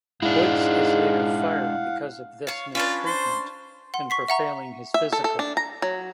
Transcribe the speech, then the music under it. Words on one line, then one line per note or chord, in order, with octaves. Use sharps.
Woods is later fired because of this mistreatment and for failing his physical.
G#2 G#3 D4 E4 F5 F#5
C#5 F5
C#4 D4 F4 B4
C5 C6
F#5 C6
C#6 B6 C7
E5 F#5 A#5 C#6
E5
A4
A4
D4
A#5
F#3